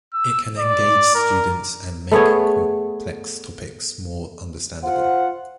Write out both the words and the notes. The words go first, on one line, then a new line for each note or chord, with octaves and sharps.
It can engage students and make complex topics more understandable.
E6
D5
A#4
A3 B3 G#4 C#5
F4 C5 F#5